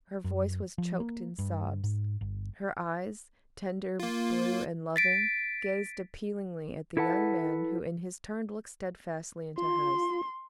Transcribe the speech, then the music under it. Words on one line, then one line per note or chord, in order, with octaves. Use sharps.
Her voice was choked in sobs, her eyes, tender, blue and loving, gazed appealingly at the young man, who in his turn looked steadfastly into hers.
F#2
F3
A#3
G2
G#2
G1
A#3 F4
A6 B6 D7
E4 A4 B4 F#5 A5
F4 C6